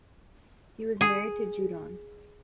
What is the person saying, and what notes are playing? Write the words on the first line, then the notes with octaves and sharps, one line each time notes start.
He was married to Judon.
G#4